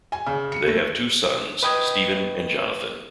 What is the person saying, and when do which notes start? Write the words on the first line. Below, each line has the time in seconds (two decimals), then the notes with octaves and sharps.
They have two sons, Steven and Jonathon.
0.12 G#5
0.27 C#3
0.52 C#7
0.67 A3
1.63 B4 D#5 G5 D#6 G#6